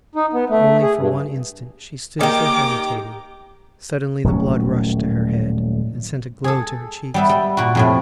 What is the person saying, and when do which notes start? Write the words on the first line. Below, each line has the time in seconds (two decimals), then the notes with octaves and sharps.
But only for one instant she stood as though hesitating; suddenly the blood rushed to her head and sent a glow to her cheeks.
0.15 D#4
0.33 B3
0.50 A3
0.82 G#4
0.98 G2
2.21 D#3 A#3 G4 G#4 G5 A#5 D6
4.24 D#1 A2 F#3 C#4
6.44 G#4 A4
7.14 G3 B3 E5
7.29 G3
7.57 A#2 F#4
7.75 F2 A2 C3